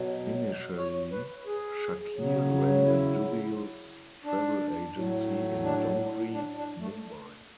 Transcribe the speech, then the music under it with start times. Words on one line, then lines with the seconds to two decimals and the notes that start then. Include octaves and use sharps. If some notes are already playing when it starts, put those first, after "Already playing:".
Initially Shakeel ran a dubious travel agency in Dongri, Mumbai.
Already playing: B2 F#3
0.77 C#5
1.12 B4
1.46 G#4
2.16 C#3 F#3
2.86 E4
4.25 D4
4.94 A2 F#3
5.64 D4
6.33 D4
6.57 D4
6.80 A3